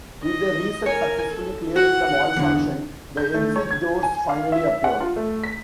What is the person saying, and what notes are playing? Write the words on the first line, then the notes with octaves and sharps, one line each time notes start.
With the reset successfully clearing the malfunction, the exit doors finally appear.
D#5
A#4 C#5 G#5
A4
F#4 F#5
E2 D3
G6
A3
C#5
G#6
G#5
F5
E5
F#5
F4
A3
B6